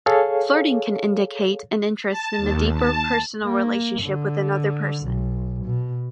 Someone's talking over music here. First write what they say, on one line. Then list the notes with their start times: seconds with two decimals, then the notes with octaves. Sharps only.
Flirting can indicate an interest in a deeper personal relationship with another person.
0.06 G#4 A4 C#5 F5
2.08 A5
2.38 D#2
2.75 A5
3.43 A#3
4.03 D3
5.04 B1
5.65 B2